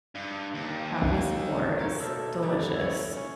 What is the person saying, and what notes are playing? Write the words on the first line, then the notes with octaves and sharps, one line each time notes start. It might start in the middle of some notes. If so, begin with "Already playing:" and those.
Cafe Sabor is delicious.
G2
D#2
F4 A#4 C5 C#5
B2 A#3 A4 E5
D3 G3 D#4
E4
C#5
C#4